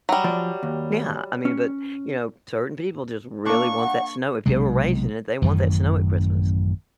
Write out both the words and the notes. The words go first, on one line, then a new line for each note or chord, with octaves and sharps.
Yeah, I mean, but, you know, certain people just really want that snow; if you were raised in it, they want that snow at Christmas,
F#3 G3
F3 D5
D#2
C#4
A#3 D4 C#6
F#5
B1 C3 G#3
A1 F#2 D#3 E3